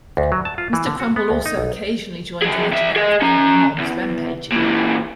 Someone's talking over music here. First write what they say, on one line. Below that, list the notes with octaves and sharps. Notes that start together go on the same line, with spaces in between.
Mr Crumble also occasionally joins in the generic angry mob's rampaging.
D2
F#3
A5
F4
E3
D3
F#4
B3
D2
D#4
B1
F#3 G#4
C2 E5
G#4 D#5
C#4 A#5
E2
A#2 E3